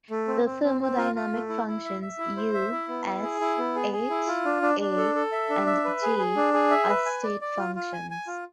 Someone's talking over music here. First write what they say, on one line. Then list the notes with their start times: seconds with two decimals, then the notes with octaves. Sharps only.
The thermodynamic functions "U", "S", "H", "A" and "G" are state functions.
0.11 A3
0.28 C4
0.45 C4
0.63 C4
0.81 C4
0.97 F4
1.15 F4
1.33 A3
1.49 E4
1.67 E4
1.85 E5
2.02 E5
2.19 E4
2.37 C5
2.54 E5
2.72 E4
2.89 B3
3.06 E4
3.23 G#4
3.41 E4
3.58 B3
3.75 G#4
3.93 G#4
4.10 E4
4.28 F4
4.45 D4
4.62 D4
4.80 D4
4.97 A4
5.15 A4
5.32 E5
5.50 D4
5.67 E5
5.84 B4
6.02 G#4
6.18 G#4
6.36 D4
6.54 G#4
6.70 E5
6.89 B4
7.06 G#5
7.23 D5
7.41 D5
7.57 F4
7.75 F4
7.93 G#5
8.11 G#5
8.27 F4